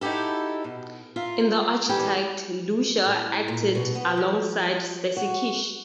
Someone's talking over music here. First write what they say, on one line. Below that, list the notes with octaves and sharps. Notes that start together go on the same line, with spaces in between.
In "The Architect," Lusha acted alongside Stacy Keach.
D#4 E4 F#4 G4 A4
B2
F4 A#4 E5
D2 E3 G3 G4 A4 G#5
A2
A#2
B2
B3
F3
F#4